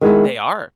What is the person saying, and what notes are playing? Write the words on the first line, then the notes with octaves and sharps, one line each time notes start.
They are.
D#3 G#3 B3 E4